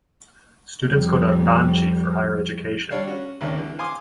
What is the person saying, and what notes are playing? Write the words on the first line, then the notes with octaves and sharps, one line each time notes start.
Students go to Ranchi for higher education.
F2 G3
G3 D4 C#5 D5 F5
C#4 F#4
G#1 D2 D#3 C#4 D4
D3 E3
F5 G#5 C6 D6 D#6